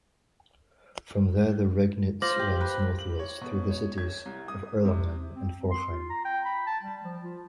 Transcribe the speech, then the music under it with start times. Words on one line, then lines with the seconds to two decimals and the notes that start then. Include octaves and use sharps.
From there the Regnitz runs northwards through the cities of Erlangen and Forchheim.
2.22 F4 C5 D6 A#6 F#7
2.39 G4
2.61 B4
2.99 F#7
3.19 C#5
3.41 B2
3.71 C#5
3.98 G#6
4.25 C2
4.48 D#6
4.85 C3
5.35 C4
5.71 C6
5.90 F4
6.10 A#5
6.25 G5
6.45 B5
6.67 A5
6.83 G3
7.04 F3
7.24 F4